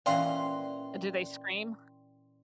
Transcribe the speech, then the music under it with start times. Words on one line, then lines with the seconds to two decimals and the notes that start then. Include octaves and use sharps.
Uh, do they scream?
0.06 A#2 E3 C#4 D5 F5 G5 C6